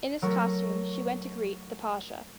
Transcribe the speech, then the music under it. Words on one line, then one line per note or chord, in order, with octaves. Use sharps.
In this costume she went to greet the Pasha.
F#3 A3 A#4 C#6